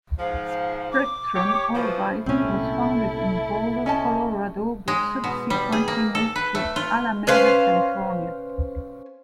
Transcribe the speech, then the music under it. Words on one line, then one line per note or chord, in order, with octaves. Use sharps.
Spectrum HoloByte was founded in Boulder, Colorado but subsequently moved to Alameda, California.
G#2 F3 F5
D6
G4 C#5
B2 E3 F3 C5
C2 A#2 A3 C4 C#4 E4 A4
C#4 D#5 A5
G#3
B2
G3
G#4
A#3
A4
B4
A3
F4
C#4 B4 C5 F5